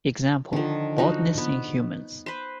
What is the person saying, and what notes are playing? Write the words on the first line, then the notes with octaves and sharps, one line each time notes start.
Example: baldness in humans.
D3 D#3 F3
F3 D#4 F#4
B3
B4 C5